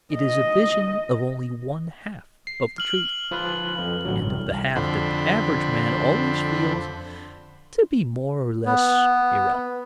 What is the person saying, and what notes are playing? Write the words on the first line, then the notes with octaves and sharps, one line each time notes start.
It is a vision of only one-half of the truth, and of the half that the average man always feels to be more or less irrelevant.
D#5
C7
F6 F#7
F3 F4 B4
F2
A1 D3 F#3
C2
F2 D3 C5 B5
B3